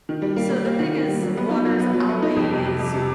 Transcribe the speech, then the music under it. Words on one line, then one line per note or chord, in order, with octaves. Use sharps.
so the thing is, water's always
D#3
G3
A#3
A#3
A#3
D#3
A#3
G3
F#3
B3
D#4
F#3
B3
F#3
B3
D#4
F2
C3
C3
F2
C3